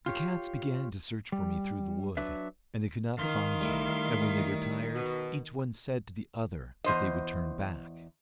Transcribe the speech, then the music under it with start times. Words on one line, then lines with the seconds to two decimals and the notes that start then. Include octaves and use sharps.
The cats began to search for me through the wood, and they could not find me; and when they were tired, each one said to the other that they would turn back.
0.06 F4 G4 C#5
1.32 G3
2.17 F#3 D4 B4 E5
3.18 D#3 F5 C6
3.61 G3 A3 E4
4.93 B2
6.84 E2 C5 D#5